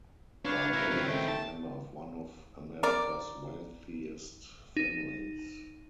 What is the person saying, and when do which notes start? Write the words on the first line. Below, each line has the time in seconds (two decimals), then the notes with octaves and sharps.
Barbey is a member of one of America's wealthiest families.
0.45 D4 B4 C#5 F5
0.73 E4 A#4
0.91 D#3 C4
1.07 A3 G5
1.28 A5
2.83 A#4 D5
4.77 D#4